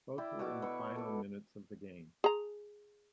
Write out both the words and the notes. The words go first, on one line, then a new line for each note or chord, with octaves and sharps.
Both were in the final minutes of the games.
E4 D5 E5 G5
B2 F#4 E5 D6
B2 B5 C#6
A4 D6
G#4 A#5